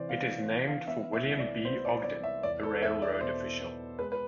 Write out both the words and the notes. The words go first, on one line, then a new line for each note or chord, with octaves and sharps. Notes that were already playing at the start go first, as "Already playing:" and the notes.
It is named for William B. Ogden, a railroad official.
Already playing: C3 E3 C5 D5
B3 F5
E3
F5
B3 E5
E5
C2
D5
B3 C5
D5
C2 D5
E5
E2 D5
A4
E2 E5
D5
B2 C5
B3
G#3 B4
B4